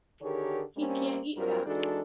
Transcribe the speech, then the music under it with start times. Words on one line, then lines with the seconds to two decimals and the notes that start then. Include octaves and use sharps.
He can’t eat that.
0.22 D3 D#3 G4 G#4 A#4 C#5
0.76 G3 A#3 C4 C#4
1.36 G2 F#3 C4 F4 A#4
1.64 E3 G#3 D4 D#4 F#4 A4